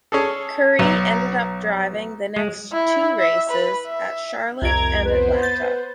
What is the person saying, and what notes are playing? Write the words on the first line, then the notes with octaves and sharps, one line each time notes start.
Currey ended up driving the next two races at Charlotte and Atlanta.
C#4 G#4 A4
B1 F#3
G#3
E4
E5
B4
E5
C2 F2 A#5 G#6 D7
B3 B4 C5
G6 A6